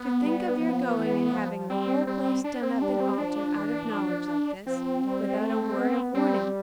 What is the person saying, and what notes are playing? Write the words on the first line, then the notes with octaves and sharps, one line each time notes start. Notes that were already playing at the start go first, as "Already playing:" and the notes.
To think of your going and having the whole place done up and altered out of knowledge like this, without a word of warning!
Already playing: B3
G3
F3
E3
F3
G3 C4
G3 C4
D4
C4
G3 D4
C4
F3 D4
E3
F3
F3 C4
G3
A3
B3
G3 C4